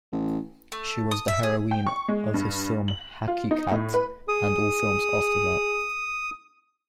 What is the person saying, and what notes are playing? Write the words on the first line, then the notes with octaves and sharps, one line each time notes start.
She was the heroine of his film "Haqeeqat" and all films after that.
A1
A3
D#6
E5
G#4
G5
C#6
G#3
G2
F#7
F4
D#4
A2
B4
G#4 D#6